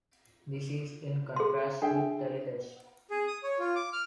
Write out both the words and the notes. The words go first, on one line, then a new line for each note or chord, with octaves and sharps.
This is in contrast with teletext.
G#4 C6
D4 G#4 E5 G5
G#4
D#6
C#5
F4
D6
F6